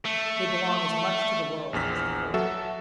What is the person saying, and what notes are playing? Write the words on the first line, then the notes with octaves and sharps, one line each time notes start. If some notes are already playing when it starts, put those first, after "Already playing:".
They belong as much to the world as to Poland.
A3
A#1 E2 F6 B6
F#3 F#4 A4 E5 E7